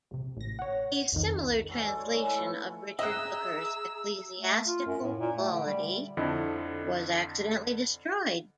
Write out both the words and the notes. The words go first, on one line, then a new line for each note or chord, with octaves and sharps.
A similar translation of Richard Hooker's "Ecclesiastical Polity" was accidentally destroyed.
A#1 C3
A1 A#6
C#5 F#5
C2 F2 D#3
G2 F#3 G#3 F4
A4 D5 C6
C5 C#5 F5
E3 G#3 A3 C#4
A4 B4 E5
A2 E4 F4
G#4 D#5 E5 A#5 D#6 E6 F#6
A3
F4
F#2
A2
A#2
A3
D3
G3
F2 D3 E4 D#5